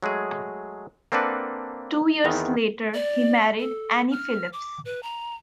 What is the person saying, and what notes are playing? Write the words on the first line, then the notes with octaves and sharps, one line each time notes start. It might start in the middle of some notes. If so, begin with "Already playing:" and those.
Two years later, he married Annie Phillips.
F#3 G#3 A3 G#4
A#3 C4 D4 A4 B4 F#5
E2 D#3 B3 C4
D5
A4
F6
D6
B4
A#5